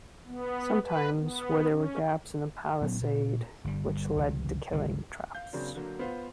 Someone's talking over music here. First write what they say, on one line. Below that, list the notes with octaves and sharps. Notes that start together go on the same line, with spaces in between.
Sometimes there were gaps in the palisade, which led to killing traps.
B3
B4
B3
C#4
A#2 F#3 B3 C#4
A#2
G1 G3
G1 C#2 C3 E3
G1 C#2 C3
F5 G6
C#3 F#3 A#3 C4 D4
D3 F#3 A#3
B3 F4 C5